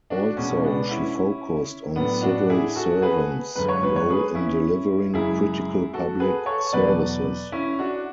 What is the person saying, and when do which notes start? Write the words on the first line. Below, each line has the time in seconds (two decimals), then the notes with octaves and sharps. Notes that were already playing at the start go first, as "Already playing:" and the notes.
Also, she focused on civil servants' role in delivering critical public services.
0.10 D4 F#4
0.37 B2 G#3 C#4
0.63 B3 D4
0.90 C#4 E4
1.96 A2 F#3 B3 D4
2.22 D4 F#4
2.50 E4 G#4
2.75 F#4 A4
3.02 G#4 B4
3.55 F#2 D3 G#3 B4
3.68 C#5
3.83 B4
3.96 C#5
4.10 G#4 B4
4.34 C#4 E4
5.14 F#2 C#3 G#3 E4 G#4
5.93 F#4 A4
6.20 G#4 B4
6.46 A4 C#5
6.73 E2 B2 F#3 B4 D5
7.52 C#4 E4
7.79 D4 F#4